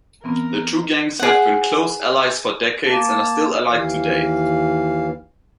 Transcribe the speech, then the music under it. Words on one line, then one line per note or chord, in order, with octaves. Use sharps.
The two gangs have been close allies for decades and are still allied today.
E3 B3 C4 A#4
G#4 F#5
A#3 A5
D#2 E3 F5